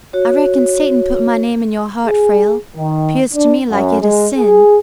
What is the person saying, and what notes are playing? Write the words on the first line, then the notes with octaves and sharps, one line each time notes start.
"I reckon Satan put my name in your heart, Frale; 'pears to me like it is sin."
F#4 C#5
G#4
D#3
D4
F#2
G#3
G#4